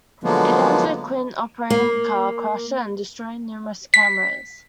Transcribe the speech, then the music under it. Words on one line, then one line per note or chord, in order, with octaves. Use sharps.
It ends with Quint operating a car crusher and destroying numerous cameras.
D3 F3 F#3 G#3 A#3 B3
A#3
B6